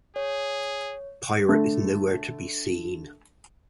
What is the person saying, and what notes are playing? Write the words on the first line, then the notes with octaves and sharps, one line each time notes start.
Pirate is nowhere to be seen.
G#4 C#5
D3 A3